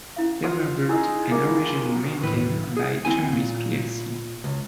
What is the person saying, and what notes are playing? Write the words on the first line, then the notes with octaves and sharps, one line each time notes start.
They were built and originally maintained by Jarvis plc.
C#4 E4 F5
F4 C5 D#6
D#4 E4 G4 G#4 E6
A#3
D#2 A2 E3 B4
G#4
D#2 C4 E4 G#5
A#2
C#2